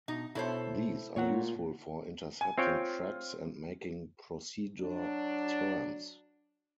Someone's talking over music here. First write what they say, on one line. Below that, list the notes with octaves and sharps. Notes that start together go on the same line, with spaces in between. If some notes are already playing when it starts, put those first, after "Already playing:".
These are useful for intercepting tracks and making procedure turns.
B2 D#4
B2 E4 A4 C5 C#5
A#2 C#5 F#5
G#5
C4 F4 C#5 G5
F#3 D4